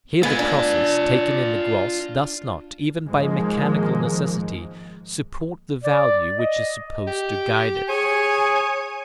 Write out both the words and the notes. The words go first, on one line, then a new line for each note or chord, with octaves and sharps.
Here the process, taken in the gross, does not, even by mechanical necessity, support the value which is supposed to guide it.
G#3 B3 F4 G#5
D4
G#2 D#3 F3 G#3 A#3
D5
D#5
G4
G#4 C#5 G#5